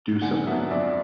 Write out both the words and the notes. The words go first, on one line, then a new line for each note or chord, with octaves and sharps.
Do something!
D3 F#5 G#5
F#3 B3 D4 E5 F#5
F2 D5 E5